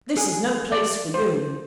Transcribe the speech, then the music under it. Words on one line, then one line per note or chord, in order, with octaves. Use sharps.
'This is no place for you.'
G#4
D5
C5